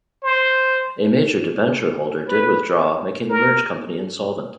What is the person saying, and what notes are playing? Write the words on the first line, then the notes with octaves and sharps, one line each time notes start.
A major debenture holder did withdraw making the merged company insolvent.
C5
B4
A#4